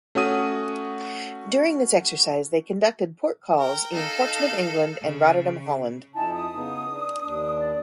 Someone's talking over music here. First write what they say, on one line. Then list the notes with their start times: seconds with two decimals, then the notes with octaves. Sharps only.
During this exercise, they conducted port calls in Portsmouth, England and Rotterdam, Holland.
0.15 A3 C#4 F#4 D#6 D#7
3.57 A#4 G5
3.92 D#4 A4 F5
5.02 C#3
6.15 F2 D#4 E4 G#5 A5
6.34 D#6
6.56 C#3 B3 D#4
6.91 D4
7.24 D#2 D4
7.59 D5